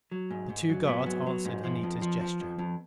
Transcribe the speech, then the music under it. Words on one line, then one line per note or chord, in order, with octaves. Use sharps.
The two guards answered Anita's gesture.
F#3
G#2
G#2
F#3
G#2 B3
F#3
F#3
G#2
F3
F2
F3
F3
F2
F2